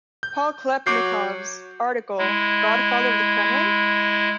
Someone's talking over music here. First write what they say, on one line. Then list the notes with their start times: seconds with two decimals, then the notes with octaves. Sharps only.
Paul Klebnikov's article Godfather of the Kremlin?
0.23 G6
0.86 F#3 D6 G6 C7
2.18 G#3 E4